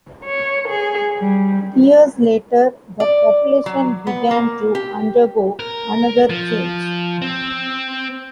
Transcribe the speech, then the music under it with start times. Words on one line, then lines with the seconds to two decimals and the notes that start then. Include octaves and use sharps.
Years later the population began to undergo another change.
0.24 C#5
0.67 G#4
1.18 G3
3.00 D5
3.66 F#3
4.07 B3
4.31 A#3
4.75 G4
5.60 A#4
6.30 F3
7.22 C4